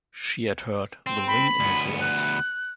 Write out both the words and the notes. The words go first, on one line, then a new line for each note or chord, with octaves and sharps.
She had heard the ring in his voice.
C4
B5
D2 B3
F#6